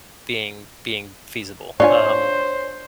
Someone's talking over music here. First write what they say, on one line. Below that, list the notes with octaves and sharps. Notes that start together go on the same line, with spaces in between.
being being feasible, um,
D4 F4 C5 C#5 G#5